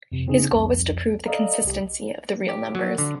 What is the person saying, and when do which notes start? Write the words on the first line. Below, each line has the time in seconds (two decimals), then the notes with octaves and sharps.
His goal was to prove the consistency of the real numbers.
0.12 F2 C3
0.27 C#3 C4 D4 D#4 G#4
0.52 C2 F2
1.26 A4 D5 D#5 F5 A#5
1.65 C2 G4
2.49 G4
2.75 F#3
2.98 D3